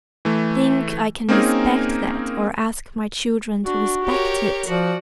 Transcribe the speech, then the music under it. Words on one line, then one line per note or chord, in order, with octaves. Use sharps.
Think I can respect that, or ask my children to respect it?
E3 A3
A#3 C4 C#4 D#4 G#4 A#4
D4 F#4
G4 A#4 C#5
F3 F#4 D5